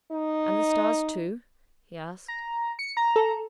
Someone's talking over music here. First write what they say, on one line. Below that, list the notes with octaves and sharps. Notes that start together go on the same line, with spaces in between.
"And the stars, too?" he asked.
D#4
A#5
C#7
A#5
A4